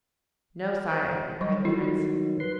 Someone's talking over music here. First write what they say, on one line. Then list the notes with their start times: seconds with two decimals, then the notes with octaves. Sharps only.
'No, sire,' replied the Prince.
0.91 C5
1.40 F#3 G3 D#5
1.65 D#3 F#3 E4 F4 A4
2.40 B4 C6